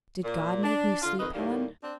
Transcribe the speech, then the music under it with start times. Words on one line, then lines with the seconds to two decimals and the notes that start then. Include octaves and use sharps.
"Did God make me sleep, Helen?"
0.23 A#2
0.63 D4
1.02 D3 F4 F5
1.19 F2 D#3 B4 D#5
1.34 D#2 A2 G3 A#3
1.83 C4 D4